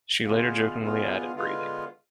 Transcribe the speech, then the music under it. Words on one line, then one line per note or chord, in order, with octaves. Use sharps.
She later jokingly added breathing.
D3 G#3 B3 F4
D3 G#3 B3 F4
D3 G#3 B3 F4